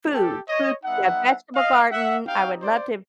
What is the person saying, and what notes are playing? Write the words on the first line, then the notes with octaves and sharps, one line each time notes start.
food food, yeah, vegetable garden, I would love to
G4 A4
C#5 D#5
G3 B3 D#4 E5 F#5
D#5 F5
E5 F#5
C4 D#4 G4 F5 G5
C5 D5